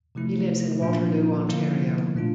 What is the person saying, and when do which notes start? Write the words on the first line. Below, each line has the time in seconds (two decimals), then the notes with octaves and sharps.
He lives in Waterloo, Ontario.
0.15 C3 F3 A3 E4
0.81 A#2 F3 A#3 D4 F4
1.47 D3 F3 A#3 E4
2.15 A#2 A3 D4 F4